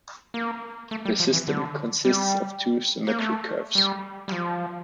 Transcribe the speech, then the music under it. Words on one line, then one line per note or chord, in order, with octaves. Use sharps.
The system consists of two symmetric curves.
A#3
A3
G3
F3
E3
D3
G3
A#3
A3
G3
G3
F3